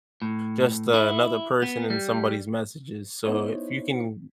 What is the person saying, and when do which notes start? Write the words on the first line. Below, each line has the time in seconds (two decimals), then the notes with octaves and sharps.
just another person in somebody's messages, so if you can
0.22 A2
0.94 E4
1.62 B3
1.90 G3
3.25 B3 D#4 E4 C5 C#5